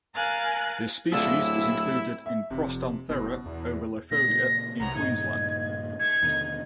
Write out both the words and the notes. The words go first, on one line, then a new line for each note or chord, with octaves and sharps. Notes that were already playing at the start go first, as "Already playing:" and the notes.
This species is included in "Prostanthera ovalifolia" in Queensland.
A#4 F5 G#5 F#6 A6
D1 D4 E4 F4 G#4 E5 E6
E5
F1 C3
F#1 B2
E2
A#2 C#3 A#6
C2 F#2 C#3 B3 A#5
G2 A#2 C#3 D#4 G#6
A3 G#6
D#2 B2 D3 D#4